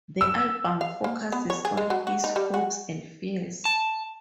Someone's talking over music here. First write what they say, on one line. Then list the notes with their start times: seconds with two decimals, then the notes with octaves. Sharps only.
The album focuses on his hopes and fears.
0.21 E6
0.81 F5
1.04 A#3
1.32 B3
1.50 C#5
1.65 G#4
1.77 G#3
1.90 F#3
2.07 F#4
2.24 D#4
2.36 G3
2.54 F#4
3.65 A5